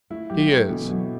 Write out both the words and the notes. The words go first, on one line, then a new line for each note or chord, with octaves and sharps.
"He is."
A3 E4
F#3 G4
F#3 A3
B2 E3
F#3 E4